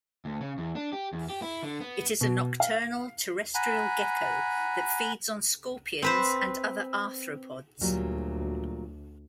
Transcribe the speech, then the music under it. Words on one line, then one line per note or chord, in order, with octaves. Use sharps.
It is a nocturnal, terrestrial gecko that feeds on scorpions and other arthropods.
D2
C#3
E2
D4
G4
E2
G4
E4
D3
B3
B2
F5
F#5 G#5 A#5 B5
C4 B4 C5
D2 A#2 F#3 G3